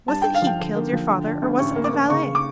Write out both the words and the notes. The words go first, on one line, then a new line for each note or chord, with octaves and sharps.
Was it he killed your father or was it the valet?
G2 A5
G2 G5
F5
F3 G5
D3
A#3
F3
D3
D4
D2
A1 C#6
A#3
D6
A#3
C#3 C#6
D6